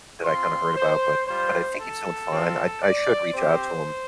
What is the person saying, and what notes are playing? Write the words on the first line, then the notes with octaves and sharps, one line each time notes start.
that I kinda heard about, but but I think he's doing fine. I I should reach out to him.
C4 F4 C6
C5
G3 F4 C5
A4
C4 F4
D5
C4 G4 C5